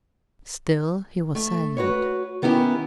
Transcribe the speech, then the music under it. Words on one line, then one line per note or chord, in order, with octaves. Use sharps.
Still he was silent.
A3
F#4 B4 C#5
D#3 B3 C#4 E4 G4